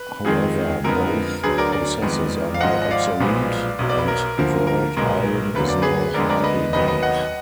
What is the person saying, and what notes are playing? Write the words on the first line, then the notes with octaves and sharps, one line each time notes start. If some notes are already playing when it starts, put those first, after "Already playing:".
However both processes are now obsolete, and wrought iron is now hardly made.
Already playing: B4
F2 D#3 G#3 G#4
F2 D3 G#3 B3 A#4
D2 D3 F#3 G#4 B4
A#4 D5
A#4 D5
F2 D#3 G#3 B3
F5
G#1 G#2 F3 D#5 F#5
D#5
D5 F5
B1 A#2 F3 G#3 B3
B1 B2 F#3
D5
B4
A#4
D2 D3 F3 A#3
A#4
B1 A#2 G#3 B3 A#4
D2 D3 F#3 A#3 B4
D5
G#4 B4
D2 D3 G#3 B3 A#4 D5
A#4 D5
B4 D#5
F1 D#2 D#3 F#3 B3 B4 D#5
B4 D#5
D#5 F#5